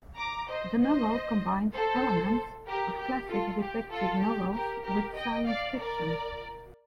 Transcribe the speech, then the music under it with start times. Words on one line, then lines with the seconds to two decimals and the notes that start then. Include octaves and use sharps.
The novel combines elements of classic detective novels with science fiction.
0.18 A#5 D6
0.49 C5 D#5
0.80 C5 D#5
1.73 A4 C5
2.67 G4 A#4
2.98 G4
3.29 F4 A4
3.60 G4
3.92 F4 A4
4.22 G4
4.53 G4 A#4
4.84 G4 A#4
5.15 D#5 G5
5.46 D5 F5
5.77 A#4 D5